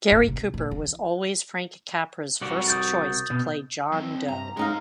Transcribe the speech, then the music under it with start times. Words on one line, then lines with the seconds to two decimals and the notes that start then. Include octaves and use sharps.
Gary Cooper was always Frank Capra's first choice to play John Doe.
0.12 A2
0.28 C3
0.54 A#2
0.71 E3
2.41 C2 F#4 D5
2.68 D#6 G6 A6
3.30 B2
3.92 F#3 C4
4.29 G2 A#5
4.57 G#3 D#4 G#4 F5 A#5